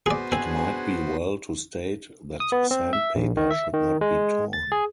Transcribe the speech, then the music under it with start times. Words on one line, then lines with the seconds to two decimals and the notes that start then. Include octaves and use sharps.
It might be well to state that sandpaper should not be torn.
0.06 B3 F#4 G#4 C5 D5
0.32 C4 D4 G#4 G#5
2.40 D#6
2.52 B3
2.71 C4
2.93 E5
3.15 A#1
3.37 D#3
3.51 E5
3.73 D#3
4.01 G#3
4.53 A6
4.72 G#4